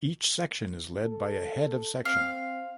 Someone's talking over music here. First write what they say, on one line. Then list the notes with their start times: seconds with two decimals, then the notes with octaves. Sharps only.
Each section is led by a Head of Section.
1.02 A4
2.05 C4 F5